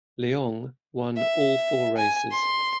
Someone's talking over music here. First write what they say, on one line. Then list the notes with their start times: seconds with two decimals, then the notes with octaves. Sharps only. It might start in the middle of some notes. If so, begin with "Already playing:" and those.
Leong won all four races.
1.17 E5
1.97 G#5
2.32 C6